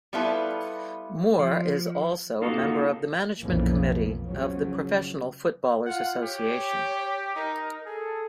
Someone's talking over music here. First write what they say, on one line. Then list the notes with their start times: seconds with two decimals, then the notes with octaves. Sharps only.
Moore is also a member of the management committee of the Professional Footballers' Association.
0.13 G3 B3 E4 F4 A4 B4
1.39 F3
2.42 A#3 D#4 F4 F#4 A4
3.41 B1 F2 C#3 E3 F3 A#3
4.26 C#3 F3 F#3
5.86 F4 F#5
6.23 G4 C#5
7.36 D#4 A#4
7.86 G#4 A4